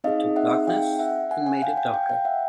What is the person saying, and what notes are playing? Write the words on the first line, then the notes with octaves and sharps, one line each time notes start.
It took darkness and made it darker.
C4 D#4 G#4 D#5 F5
E5 F#5
F5 G5
E5 F#5
F#5 G#5
F#5 G#5
F5 G5
F5 G5
F5 G5
F5 G5
E5 F#5